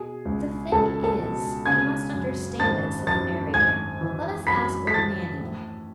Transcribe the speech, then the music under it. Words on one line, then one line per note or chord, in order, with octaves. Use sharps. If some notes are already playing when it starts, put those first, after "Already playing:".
"The thing is, you must understand it," said the narrator; "let us ask old Nanny."
Already playing: B2 G#4
C#2
C#2 A4 A5
A4 A5
B2
C#3 G#5 G#6
F#2
G#1 A5 A6
F#2 A5 A6
G#1 G#5 G#6
E3
F#2 B5 B6
B6
E3 A5 A6
A2